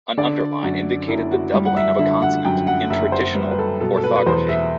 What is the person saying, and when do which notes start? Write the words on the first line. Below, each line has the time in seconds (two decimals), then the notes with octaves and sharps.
An underline indicated the doubling of a consonant in traditional orthography.
0.17 D3 D5
0.63 F#2 F#4
1.08 F#1 E4
1.31 F#4
1.54 G3
1.65 F#5
1.76 E5
1.99 D3 E5
2.22 F#5
2.44 F#2 G5
2.67 F#5
2.90 F#1 E5
3.12 C5
3.35 G3 B4
3.51 B4
3.59 A4
3.80 B2 A4
3.97 A4
4.04 B4
4.16 B4
4.26 E2 C5
4.49 E5